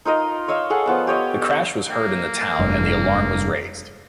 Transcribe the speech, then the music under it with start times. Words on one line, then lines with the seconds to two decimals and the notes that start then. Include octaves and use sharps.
The crash was heard in the town and the alarm was raised.
0.05 D#4 F4 A#4 D#5
0.48 C#5 D#5 F5 E6
0.70 G#4 A4 F#5
0.86 F3 B3 A5
1.07 G4 C#5 D#5
1.91 A#3
2.59 F1 G2